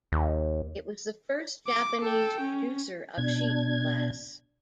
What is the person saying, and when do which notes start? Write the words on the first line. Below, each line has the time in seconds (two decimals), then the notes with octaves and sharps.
It was the first Japanese producer of sheet glass.
0.12 D#2
1.67 D6
2.02 A4 G5
2.41 C#4
3.18 B2 D4 G#6